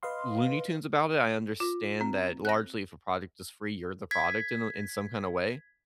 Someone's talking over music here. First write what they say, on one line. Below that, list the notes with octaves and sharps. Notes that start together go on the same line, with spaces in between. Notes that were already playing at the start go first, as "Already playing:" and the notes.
Looney Tunes about it, I understand that largely if a product is free, you're the product in a in some kind of way.
B4 D#5 F5 C6
F4
C4
F#6 A#6
G#6 B6